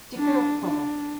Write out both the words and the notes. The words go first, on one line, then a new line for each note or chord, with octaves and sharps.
Dicker of Plymouth.
D4
D4